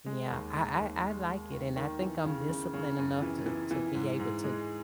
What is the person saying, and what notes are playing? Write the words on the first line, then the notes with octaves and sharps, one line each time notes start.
yeah, I I I like it, and I think I'm disciplined enough to to be able to,
G#3
D#2
G#3
D#2
G#3
G#3
D#2
D#3
E3
C#3
C#3
C#3
F#2
E3
E3
E3
G#2
G#2
G#3